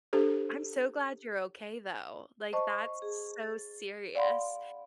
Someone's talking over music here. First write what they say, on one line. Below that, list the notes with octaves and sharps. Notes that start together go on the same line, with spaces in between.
I'm so glad you're okay though, like that's so serious
D4 G4 A4 C5
C5 D#5 A5 C#6
G#4
A6
D5 F5 F#5 B5 C6